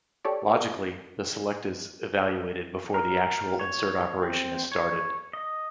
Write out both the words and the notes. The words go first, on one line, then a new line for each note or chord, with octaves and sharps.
Logically, the select is evaluated before the actual insert operation is started.
G4 A4 C#5 D5
A#4
C#5
C4
C#5
D#5